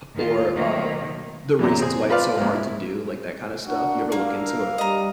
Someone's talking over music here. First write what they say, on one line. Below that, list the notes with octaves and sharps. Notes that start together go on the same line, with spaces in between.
or um, the reasons why it's so hard to do, like, that kinda stuff? You ever look into it?
D#2 D#3 F4
B2 D#3 F#3 A3 A#3
F#2 A#2 E3
C4 G#4
F4 B4 C5 D5 F5
A#1 G#2
E4
D4 F#4 A#4 F#5
A#3 E4 A#4 F5
G3 D#5 A#5